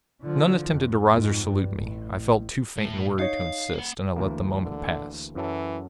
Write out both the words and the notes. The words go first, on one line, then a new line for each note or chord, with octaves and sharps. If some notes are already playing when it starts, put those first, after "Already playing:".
None attempted to rise or salute me. I felt too faint and weary to insist, and I let the moment pass.
D3 F3
F2
F2 G#2
G2
A1
A2
D#4 C#5 F5
A#3 F#5
D2 E3 A#3
D3
F#2 E3 F#3 A4